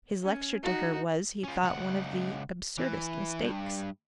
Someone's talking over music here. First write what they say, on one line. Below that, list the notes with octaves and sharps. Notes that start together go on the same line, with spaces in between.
His lecture to her was, he thought, one of the absurdest mistakes.
C#4
D#4 F#4
C#4 F4
C#2 F#5
E3
G2